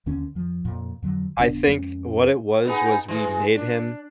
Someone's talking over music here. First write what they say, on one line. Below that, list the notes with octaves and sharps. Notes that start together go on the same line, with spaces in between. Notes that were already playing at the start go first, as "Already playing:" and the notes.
I think what it was, was we made him
D#2 D3 C#4
F2 F3
F2 A#2
F2 D3 F#3
D#1 C#3 B3 D4
F2 G#3 C#4
B3 D#4 G#4
E3 G#3
D4